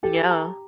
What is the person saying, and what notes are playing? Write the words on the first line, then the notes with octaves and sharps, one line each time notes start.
Mm yeah.
G4 A4
A#5